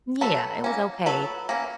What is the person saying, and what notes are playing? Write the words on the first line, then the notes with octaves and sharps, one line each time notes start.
Yeah, it was okay.
F#3 A4 B4
A#3 C#4
F#3 A4 B4
A#3 C#4